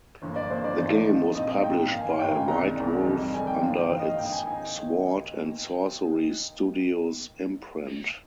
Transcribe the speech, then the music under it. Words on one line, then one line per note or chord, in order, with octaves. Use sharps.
The game was published by White Wolf under its Sword and Sorcery Studios imprint.
G1 G2 F3 A#3
D5
G1 G2 F3 A#3 C5
D5
G#1 G#2 F3
G#1 G#2 F3
A#1 G#2 F3 C4 D#5
D#5
A#1 G#2 F3 C4 G5
G#1 G#2 D#3 A#3 F5
G#5
F5
G#1 G#2 D#3 A#3 G5
G#5
C2 C3 D#3 G#3 D4 A#5
C2 C3 D#3 G#3 D4
F2 C3 D#3 G3
F2 C3 D#3 G3 G#5
G5
G1 G2 F3 F5
G5
G1 G2 F3 F5
D#5
F5
G#1 G#2 D#3 A#3 D#4 G5
G#5
D#4 G#5